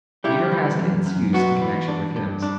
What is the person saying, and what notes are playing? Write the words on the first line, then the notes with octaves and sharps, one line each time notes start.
Meter has its use in connection with hymns.
G3 E4 G4
E3
F#2
F#2
B3 F#4
E3
D4
G2
D4